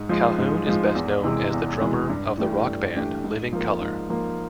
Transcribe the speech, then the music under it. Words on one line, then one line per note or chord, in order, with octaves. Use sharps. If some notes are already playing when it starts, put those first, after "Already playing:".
Calhoun is best known as the drummer of the rock band Living Colour.
Already playing: G#2
F3 G#3
G#2
F3 G#3
E2
C3 E3 G#3
E2
C3 E3 G#3
G2
E3 A3 D4 G4
G2
E3 A3 D4 G4
G#2
F3 A#3
G#2
F3 A#3